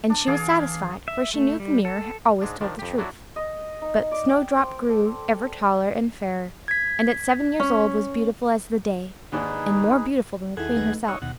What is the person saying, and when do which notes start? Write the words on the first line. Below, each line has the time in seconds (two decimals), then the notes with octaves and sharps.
And she was satisfied, for she knew the mirror always told the truth. But Snowdrop grew ever taller and fairer, and at seven years old was beautiful as the day, and more beautiful than the queen herself.
0.10 D4
0.27 E3 G#4 F5 D6
1.08 E5
1.34 A3
1.60 G3
1.85 A4
2.42 G#2 G#3 D4
2.61 D#3 F3 D4
2.79 F2 G4
2.98 F#3 D4 E4 F#4
3.36 D#5
3.82 D#4
4.11 D5
4.28 G5
4.58 C4
4.89 A4
6.68 G#6 B6
7.60 C#4
9.32 D#2 G#2 D4 D#4 G#4 B4
10.57 D#2 E4 G#4 A4 F#5
10.77 A3 D#4 B4
11.08 D#4 C#5 E6 F#6
11.22 D#2 B2 F#5